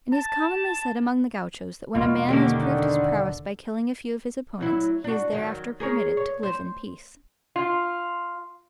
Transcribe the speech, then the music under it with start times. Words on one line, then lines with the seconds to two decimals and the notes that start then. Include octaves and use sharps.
It is commonly said among the gauchos that when a man has proved his prowess by killing a few of his opponents, he is thereafter permitted to live in peace.
0.13 A5
1.95 E1 B2 F4
2.29 D3 D#3 A#3 C#4 G4
4.61 F#3 E4
5.04 D4 F#4
5.32 D#3 F#3
5.80 G#4 A#4 C#5
6.17 C#5
6.43 C5
7.56 F4